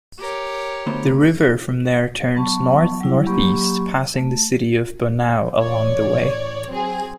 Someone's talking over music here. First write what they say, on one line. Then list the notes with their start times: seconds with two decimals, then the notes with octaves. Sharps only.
The river from there turns north-northeast passing the city of Bonao along the way.
0.19 G4 A#4 C#5
0.87 D2 B3 C5
2.35 F#3 B3 A5 C#6
3.01 F#3 G3 E4
3.27 F#3 A#3 G4 B5 C#6
4.17 A3
5.60 A1 C#5 D5
6.70 F#3 C4 G#4